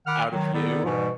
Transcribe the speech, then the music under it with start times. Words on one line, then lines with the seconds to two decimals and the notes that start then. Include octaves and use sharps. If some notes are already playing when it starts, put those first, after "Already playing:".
out of you
0.06 D#3 F#5 B5 D6 F6
0.31 D#3 F#3
0.53 D#3 B3 E4 G#4 A4 D5
0.83 G#2 B2 E3 G3